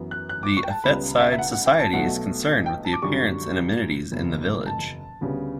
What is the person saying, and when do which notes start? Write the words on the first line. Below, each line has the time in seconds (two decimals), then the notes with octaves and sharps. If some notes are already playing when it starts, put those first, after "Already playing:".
The Affetside Society is concerned with the appearance and amenities in the village.
Already playing: F#2 E3 B3
0.11 F#6
0.29 F#6
0.43 D6
0.57 C#6
0.64 G5
0.70 A5
0.84 C#2 C#3 G3 B3 B5
1.21 E5
1.32 E5
1.38 F#5
1.52 F#5
1.66 G5
1.80 A5
1.93 B1 B2 F#3 A3 F#5
2.66 G5
2.85 A5
2.93 D6
3.02 F#2 D3 G3 C#6
4.12 F#1 E2 B2
4.66 A5
5.21 D2 C#3 G3 B3